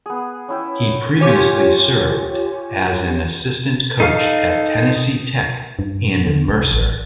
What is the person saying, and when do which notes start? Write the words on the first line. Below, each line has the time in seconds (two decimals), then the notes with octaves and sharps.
He previously served as an assistant coach at Tennessee Tech and Mercer.
0.06 B3 G#4
0.48 C#4 E4 G5
1.20 F4 G4 C#5 G#5
4.00 D#4 A4 F5 F6
5.79 G2
6.26 D3
6.48 C2
6.71 A1